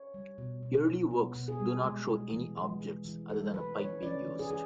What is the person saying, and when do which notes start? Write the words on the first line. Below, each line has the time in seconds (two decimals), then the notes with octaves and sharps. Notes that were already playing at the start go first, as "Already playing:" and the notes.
Early works do not show any objects other than a pipe being used.
Already playing: C#5
0.14 G3
0.38 B2
0.63 B2
0.87 B2
1.11 B3
1.35 B2
1.48 G#4
1.60 G3
1.84 G#3
2.09 G#3
2.33 E3
2.57 G#3
2.81 G#3
3.05 E3
3.30 E3 A4
3.53 E3 B4
3.78 E3 C#5
4.02 C#4 D5
4.27 E3
4.39 G#4
4.51 G#4